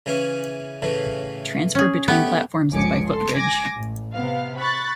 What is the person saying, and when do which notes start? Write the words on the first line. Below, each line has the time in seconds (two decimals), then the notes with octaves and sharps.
Transfer between platforms is by footbridge.
0.06 C#3 E3 C#4
0.82 A2 C#3 E3
1.75 C#4 G#4
2.08 A3 B3 E4 G4
2.71 G1 C#2 F3 G#5 D6 C#7
3.06 A4 C6
3.35 G#5 D6 G#6 A#6
3.75 A1
4.13 C3 B3 F5
4.57 B5 C#6 F#6 A6